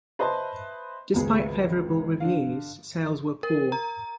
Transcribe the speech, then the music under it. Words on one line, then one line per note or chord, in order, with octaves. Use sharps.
Despite favorable reviews, sales were poor.
B4 C5 D#5 E5 A5
G#1 C#2 G#4
D3 F5
A#4
A#5